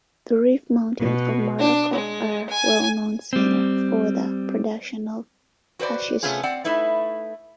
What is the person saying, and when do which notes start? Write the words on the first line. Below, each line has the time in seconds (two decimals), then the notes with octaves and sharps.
The Rif Mountains of Morocco are a well-known center for the production of hashish.
0.99 B2
1.59 D4
1.93 G#3
2.49 G#5
3.33 G3 C4
5.79 F#4 B4 C5 D5
6.23 C3 A3 B3 C#4 F4 G#4
6.43 C4 D5 F#5
6.64 A3 D#4 E4 B4